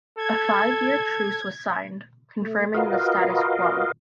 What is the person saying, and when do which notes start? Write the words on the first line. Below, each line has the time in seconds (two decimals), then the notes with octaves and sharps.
A five-year truce was signed, confirming the status quo.
0.18 A4 G#6
2.42 A3
2.74 F4 F#4 A#4 B4 D#5 F5